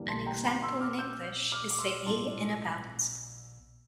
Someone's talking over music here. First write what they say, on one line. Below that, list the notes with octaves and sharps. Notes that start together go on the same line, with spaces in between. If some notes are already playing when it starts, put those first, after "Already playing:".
An example in English is the "a" in "about".
Already playing: G1 G2 E3 G3 A#3
A5 C6
G5 A#5
A5 C6
C6 E6
D6 F6
E6 G6
D6 F6
D6
C6 E6
A2 G3 C4 F4 A5 C6